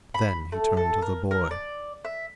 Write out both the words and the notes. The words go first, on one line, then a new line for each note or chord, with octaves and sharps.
Then he turned to the boy.
B5
A3
A4
A#4
A#4
D5
E5